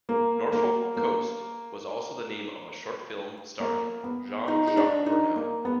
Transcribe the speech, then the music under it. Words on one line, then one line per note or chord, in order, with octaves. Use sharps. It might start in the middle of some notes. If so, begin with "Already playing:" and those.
"Norfolk Coast" was also the name of a short film starring Jean Jacques Burnel.
A#3
A#3
A#3
A#3
B3
D#4
D#4
D4
D#4
A#3
B3